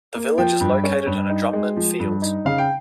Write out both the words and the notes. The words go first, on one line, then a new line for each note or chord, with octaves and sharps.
The village is located in a drumlin field.
A#3
F3 G5
G2
C#4
G2
D#4
G#3
F3
G2
D#4
C#3 F5
G5